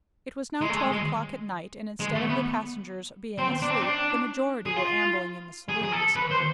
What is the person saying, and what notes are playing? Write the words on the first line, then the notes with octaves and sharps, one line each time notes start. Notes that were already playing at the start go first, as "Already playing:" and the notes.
It was now twelve o'clock at night, and instead of the passengers being asleep the majority were ambling in the saloons.
G#3
A3
G#3
G#3
G#3
A3
B3
C4
D4
C4
D4
G#4
F4
G#4
G#4
A4
B4
C5